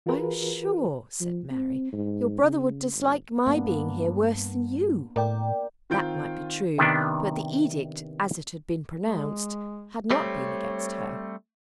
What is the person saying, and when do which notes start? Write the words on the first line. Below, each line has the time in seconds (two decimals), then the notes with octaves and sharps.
"I am sure," said Mary, "your brother would dislike my being here worse than you." That might be true, but the edict, as it had been pronounced, had not been against her.
0.06 E3 F4 F#4 G#4 A#4 B4
1.20 F3
1.51 C4
1.93 G#2
2.42 C#3
2.95 G1
3.46 G2 A#3 B3 D4
5.16 A2 A#4 D5 G5
5.90 D#3 C4 F4 G6 D7
6.78 C3 D#3 B3 D4
9.00 G#3
10.11 G3 A3 C4 C#5